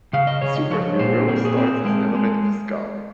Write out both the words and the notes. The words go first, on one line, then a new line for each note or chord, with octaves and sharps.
The supraneural starts as an element of the skull.
C#3 F5
D#5
C#3 C#5
D#5
F3 C#5
A#2 C5
C4 G#4
A#4
G#4
C4
G#3 A#4
G#3